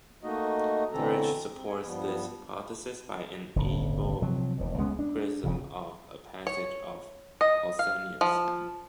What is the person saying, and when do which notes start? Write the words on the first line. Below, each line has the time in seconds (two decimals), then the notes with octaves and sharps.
Thiersch supports this hypothesis by an able criticism of a passage of Pausanias.
0.23 A3 A#3 D#4 F#4 D#5
0.93 B2 D3 E3 C4 A4 A#5
1.54 C4
1.68 G#5
1.85 G2 F3 G3 B3
3.56 D#1 G#1 D3
4.22 C3 F3 F#3
4.57 E1 D#2 B2
4.78 C#2 G#3 B3 C#4
4.99 D4
5.44 F1 F2 C#3
6.47 C#5
7.41 D#5
7.79 F5
8.21 F3